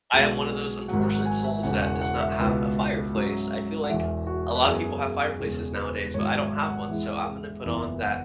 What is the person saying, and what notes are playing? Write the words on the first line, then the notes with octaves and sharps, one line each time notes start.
I am one of those unfortunate souls that does not have a fireplace. I feel like a lot of people have fireplaces nowadays, but I don't have one, so I'm gonna put on that
B1 B2 G#3 G#4
G#4
G#1 G#2 F#3 F#5
F#5
G#5
E5
E1 E2 C#3 F#5
F#5
F#5
E5
C#2 B2 B3 E4
G#2 F#3 C#4
F#5
E1 E2 E3 E5
F#4
B4
F#2 E3 B3 G#4
G#4
E1 E2 C#3 G#4
B4
G#1 G#2 F#3 E4 C#5
E5
F#5
E2 E3 G#3 E4
F#1 E2 E3 B3 E4
F#5